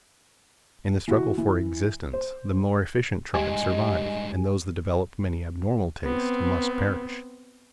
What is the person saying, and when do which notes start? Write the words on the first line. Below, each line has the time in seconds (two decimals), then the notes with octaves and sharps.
In the struggle for existence the more efficient tribes survive, and those that develop many abnormal tastes must perish.
1.08 E3 F#4
1.38 E3
2.13 C5
3.34 G2 G#3 G4 D#5 G#5
6.04 B3 C4